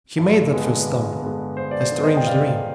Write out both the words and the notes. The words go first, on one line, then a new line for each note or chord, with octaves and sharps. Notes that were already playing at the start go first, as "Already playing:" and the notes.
He made that first stumble, a strange dream.
G2
D3 G#3 B3
G2
D3 G#3 B3
G2 C5
D5
C5
D3 G#3 B3
C5 D#5
G5
G2 D5 F5